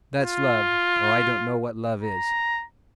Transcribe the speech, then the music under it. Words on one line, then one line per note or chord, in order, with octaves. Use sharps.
"That's love, or I don't know what love is."
F4
A#5